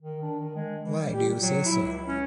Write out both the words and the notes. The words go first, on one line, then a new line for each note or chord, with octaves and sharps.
Why do you say so?
D#3
D4
D#3
G#3
E3
G3
G4
A#2
F#3
E4
C#2
C#4